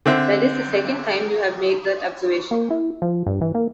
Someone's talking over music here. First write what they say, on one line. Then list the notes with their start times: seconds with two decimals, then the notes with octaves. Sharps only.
That is the second time you have made that observation.
0.06 D3 C4 E5
2.51 A#3
2.70 E4
3.02 F3
3.27 G2
3.41 E3
3.55 A#3